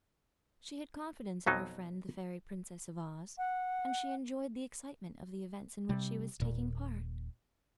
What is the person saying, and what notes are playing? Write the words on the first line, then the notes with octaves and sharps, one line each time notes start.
She had confidence in her friend, the fairy Princess of Oz, and she enjoyed the excitement of the events in which she was taking part.
F2 B2 F#3 D#4
F#5
C3 G3
D#1 A#2